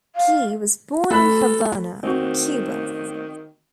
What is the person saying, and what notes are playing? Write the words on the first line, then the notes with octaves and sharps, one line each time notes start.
Gee was born in Havana, Cuba.
F5
A3 A4 B5 F#6
D#3 C4 F#4